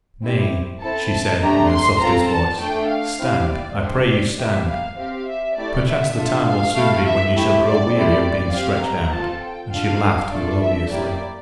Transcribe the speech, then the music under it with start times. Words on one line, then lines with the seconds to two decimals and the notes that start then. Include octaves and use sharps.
"Nay," she said in her softest voice, "stand; I pray you stand. Perchance the time will soon be when ye shall grow weary of being stretched out," and she laughed melodiously.
0.23 C4 E4 G4
0.82 C4 E4 A4 A5
1.11 A5
1.41 A3 D4 G4 A#5
1.71 C6
2.01 C4 F4 A4 A#5
2.31 A5
2.60 A3 D4 A4 G5
2.89 F5
3.19 C4 E4 G4
3.49 D5
3.79 D4 G4 C5
4.08 D5
4.38 A#3 E4 G4 E5
4.67 F5
4.97 C4 G4 F5
5.27 E5
5.57 A3 E4 G4 D5
5.86 E5
6.17 D4 F4 A4
6.46 F5
6.75 A3 E4 G4
7.06 E5
7.35 A3 E4 G4 E5
7.64 D5
7.94 A3 C4 E4 G4 D5
8.53 C4 G4 F5
8.83 A#5
9.13 C4 F4 A4 A5
9.43 G5
9.73 D4 F4 A4 F5
10.32 A3 D4 F4 A4 D5
10.62 E5
10.91 A#3 E4 G4 D5